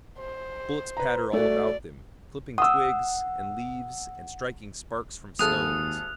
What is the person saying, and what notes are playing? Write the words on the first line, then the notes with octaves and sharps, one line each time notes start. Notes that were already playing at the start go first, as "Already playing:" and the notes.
Bullets pattered all about them, clipping twigs and leaves and striking sparks from stones.
C5
B4 A#5
A3 F#4 D5
F#5 D#6 E6
G#1 D#2 G#4 A4 D#6 F6 F#6 F7